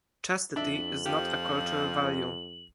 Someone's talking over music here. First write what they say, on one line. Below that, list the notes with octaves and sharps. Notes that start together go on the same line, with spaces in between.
Chastity is not a cultural value.
F2 D4 E5 F#7
F3 G4